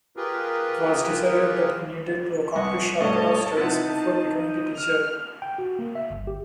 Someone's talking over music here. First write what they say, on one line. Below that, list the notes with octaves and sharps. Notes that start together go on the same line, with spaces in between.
It was decided that he needed to accomplish Orthodox studies before becoming a teacher.
F4 G4 G#4 A#4 B4
C2 B3 D#5 C#6
G2 B2 A3 D4 C#5 D#5 A5
C3 B3 D#4 E4
F6
G5
F#4
A#3
E5
G1
G4